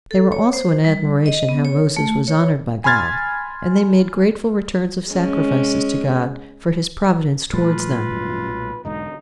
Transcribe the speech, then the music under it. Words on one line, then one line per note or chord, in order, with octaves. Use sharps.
They were also in admiration how Moses was honored by God; and they made grateful returns of sacrifices to God for his providence towards them.
A4
C#5
C5
G3
D#5
B3
C#5
A3
C#5
G#5 B5 C6 F6 G#6 A6
G#3 C#4
A#2 F3 G3 A3 F4 B4
G#1 F#2
B1
E1 G#2 D3 D#4